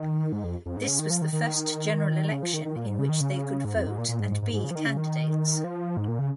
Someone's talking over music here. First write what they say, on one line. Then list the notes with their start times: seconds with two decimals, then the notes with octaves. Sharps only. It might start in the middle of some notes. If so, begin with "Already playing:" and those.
This was the first general election in which they could vote and be candidates.
Already playing: D#3
0.32 G#2
0.44 F2
0.66 F2
0.77 G#2
0.88 C#3
0.99 D#3
1.10 F3
1.22 D#3
1.33 D#3
2.32 C#3
2.43 F3
2.54 D#3
2.65 D#3
2.76 A#2
2.87 G#2
2.99 C#3
3.09 D#3
3.20 C#3
3.65 G#2
3.75 F2
3.87 G#2
3.98 A#2
4.08 A#2
4.20 G#2
4.31 G#2
4.42 G#2
4.53 G#2
4.64 C#3
4.71 F3
4.75 D#3
4.86 C#3
4.97 D#3
5.64 F3
5.97 G#2
6.08 A#2
6.19 C#3